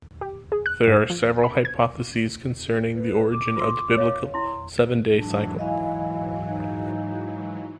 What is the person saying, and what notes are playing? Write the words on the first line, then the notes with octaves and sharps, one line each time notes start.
There are several hypotheses concerning the origin of the biblical seven-day cycle.
G4
G#4
F#6
G#2
F3
B5
G#6
B4
D6
F4 C6
C#5 D#5 F5
E4 C6
G#2 E3 F#3 D4
E4 D#5 F5 G#5
D#4